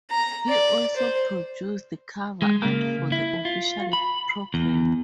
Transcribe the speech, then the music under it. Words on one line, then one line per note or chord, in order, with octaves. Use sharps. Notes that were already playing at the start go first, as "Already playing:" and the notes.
He also produced cover Art for the official programme.
A#5
D5
C5
G#3
C#3 A#3
E4
F4
B5
E2